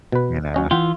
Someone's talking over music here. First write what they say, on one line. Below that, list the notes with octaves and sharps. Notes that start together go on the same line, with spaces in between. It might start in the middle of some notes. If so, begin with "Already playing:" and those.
you know.
B2 B4
F#3 C#4 D#5
E3 F4 F#5 G5